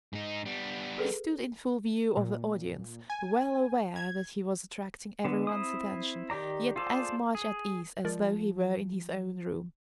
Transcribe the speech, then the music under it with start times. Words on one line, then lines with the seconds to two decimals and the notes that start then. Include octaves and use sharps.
He stood in full view of the audience, well aware that he was attracting everyone's attention, yet as much at ease as though he were in his own room.
0.13 G#2 D#4
0.46 G3 B3
0.98 G#4 A4 B4
2.17 A#2
3.10 G#5
3.96 G#6
5.25 D3 B3
5.47 C4 E4 D#6
6.30 D#3 G4 D5 A#5
6.76 F4 G#4 A4 C5 D5
7.35 G#4
8.05 F3 G#3 A#4 D5